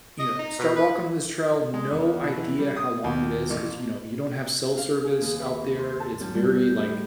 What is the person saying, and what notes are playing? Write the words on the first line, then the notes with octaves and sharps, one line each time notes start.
you know, start walking on this trail, no idea how long it is 'cause, you know, you don't have cell service out there. It's very like
D#5
D#4
B2
B4
G#3
E2
B2
E3
G3
D#6
D#2
A1
F5
G#4
D#2
B4
C6
A5
F#2
G3
G6
A2